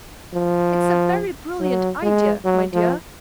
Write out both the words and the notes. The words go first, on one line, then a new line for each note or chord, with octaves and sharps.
It's a very brilliant idea, my dear!
F3
F#3
G#3
F#3
F3